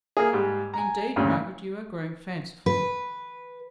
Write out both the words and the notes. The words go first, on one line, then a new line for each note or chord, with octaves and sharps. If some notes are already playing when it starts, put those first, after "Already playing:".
'Indeed, Margaret, you are growing fanciful!
A#3 G#4
G#2 G3
G#5 A#5
D2 G2 A#2 C#3
B4